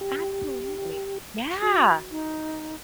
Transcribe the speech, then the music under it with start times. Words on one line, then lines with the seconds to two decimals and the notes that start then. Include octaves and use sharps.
Absolutely, yeah.
0.01 G4
1.62 F#4
2.11 D#4